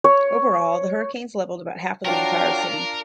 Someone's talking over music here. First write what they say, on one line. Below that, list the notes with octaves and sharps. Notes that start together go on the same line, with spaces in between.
Overall, the hurricane leveled about half of the entire city.
C#5
F#3 D4 F4 A#4 G5